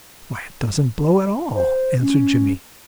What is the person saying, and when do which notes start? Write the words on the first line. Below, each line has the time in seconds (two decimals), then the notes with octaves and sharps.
"Why, it doesn't blow at all," answered Jimmie.
1.55 C5
2.01 C#4